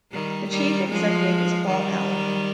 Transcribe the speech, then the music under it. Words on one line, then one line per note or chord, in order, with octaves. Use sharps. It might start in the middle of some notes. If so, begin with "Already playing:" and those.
The Chief Executive is Paul Allen.
D#3 G3
D#3 G3
F3 G#3
D#3 G3